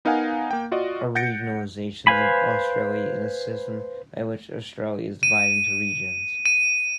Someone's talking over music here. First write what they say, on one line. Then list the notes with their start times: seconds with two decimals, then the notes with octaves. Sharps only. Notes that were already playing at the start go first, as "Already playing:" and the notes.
A regionalisation of Australia is a system by which Australia is divided into regions.
0.05 B3 D#4 A#4 F5 F#5 G#5
0.51 A#3 G5
0.72 F4 F#4 D5 D#5
1.15 F#5 G6 A6 A#6 C#7 D7
2.07 B4 C5 F5 G#5 B5
5.23 D#7
6.46 D#7